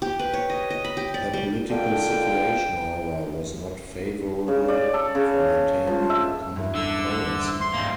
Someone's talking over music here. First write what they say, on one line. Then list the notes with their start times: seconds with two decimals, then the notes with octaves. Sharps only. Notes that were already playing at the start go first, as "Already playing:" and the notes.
The political situation, however, was not favorable for maintaining a common currency.
0.02 G4
0.19 B4
0.33 C#5
0.50 D#5
0.70 D#5
0.84 B5
0.97 G4
1.14 D5
1.33 G3
1.70 F2 A#2 D3 G5
4.48 C#3
4.68 D5
4.94 A4
5.15 C#3
5.87 F3
6.10 E5
6.56 E2 G2
6.75 D3 A4 E6
7.11 D3 C5
7.61 C6
7.74 G#2 G3 A#3 D#4 C7